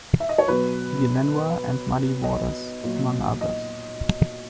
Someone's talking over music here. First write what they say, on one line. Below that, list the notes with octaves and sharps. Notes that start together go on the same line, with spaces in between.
B. Lenoir, and Muddy Waters, among others.
E5
D#5
C#5
B2 F#3 B4
D#5
A#2 F#3
D#5